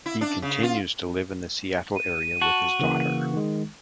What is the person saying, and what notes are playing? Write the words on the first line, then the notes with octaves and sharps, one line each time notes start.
He continues to live in the Seattle area with his daughter.
E4
D4
C#3
F4
D#7
F#4 A5
C#3 E3 A#3
D#3 G#3